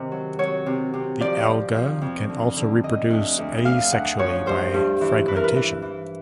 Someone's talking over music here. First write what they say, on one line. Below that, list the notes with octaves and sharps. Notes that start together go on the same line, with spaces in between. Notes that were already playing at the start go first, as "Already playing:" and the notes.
The alga can also reproduce asexually by fragmentation.
Already playing: C3 D#3 C5
F#3
F#3 C#5
C3
C3
F3 D5
F3
F3
F2
D3
D3
D3 D#5
D2
D2
D2 F5
D2 F#5
F3 C#5
G2 C5
G2
E3
E3 B4
A#4
B4
E3
E3